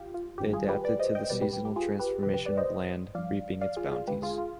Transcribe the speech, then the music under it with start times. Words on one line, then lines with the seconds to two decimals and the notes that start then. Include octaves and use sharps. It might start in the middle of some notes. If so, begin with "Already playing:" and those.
They adapted to the seasonal transformation of land, reaping its bounties.
Already playing: D#3 F4 G4
0.14 F4
0.38 G#1 G2 D#3 G3 G4
0.53 F4 G#4
0.68 G4 B4
0.84 B4 D5
1.00 C5 D#5
1.15 D#5 G5
1.30 C2 B2 G3 B4 D5
1.41 G4 B4
1.53 G4
1.65 G4
1.76 F4 G#4
1.99 G4 B4
2.23 D2 C3 F3 G4 B4
2.34 G4 B4
2.45 B4 D5
2.57 C5 D#5
3.15 G1 G2 F3 D5 F5
3.61 D5 F5
3.77 F4 G#4
3.92 F4 G#4
4.07 D#2 D3 G#3 G4 B4
4.22 F4 G#4
4.38 F4